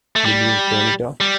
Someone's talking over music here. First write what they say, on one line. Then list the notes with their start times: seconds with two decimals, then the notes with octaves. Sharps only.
Will you turn it off?
0.16 A3
0.25 G3
1.21 G3